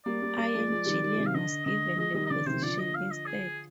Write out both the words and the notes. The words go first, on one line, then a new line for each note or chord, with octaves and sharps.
Ian Gillan was given the position instead.
G3 A#3 D5
G3 A#3
G3 A#3
F3 G#3
F3 G#3
D#3 G3
D#3 G3
F3
C3 D#3
F5
D3 D#5
D3 D#5
F3 G#3 D#5
D#3 G3 D#5
D#5
D3 D5
C3 D#3 C5
D3 F3 D5
D#5
F5
D#5
G#4